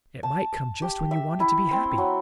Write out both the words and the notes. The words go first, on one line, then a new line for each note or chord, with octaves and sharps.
"It might come just when you wanted to be happy!"
A5
G4
E5
E4
C4
F#3